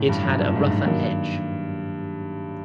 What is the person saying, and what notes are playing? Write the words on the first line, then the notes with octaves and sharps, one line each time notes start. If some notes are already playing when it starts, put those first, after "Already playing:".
It had a rougher edge.
Already playing: F2 A2 C3 D#3
G2
F#2
G2
G#2
G#2
G2 D#3 F#3 A#3